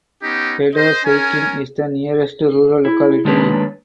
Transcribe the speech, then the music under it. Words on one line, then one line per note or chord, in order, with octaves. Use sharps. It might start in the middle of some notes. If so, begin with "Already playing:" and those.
Fedoseykin is the nearest rural locality.
B3 C#4 D#4 G4
C5 D#5
C#4 A#4 G#5
E4
D#3 G#3 A#3 D4 B4 C#5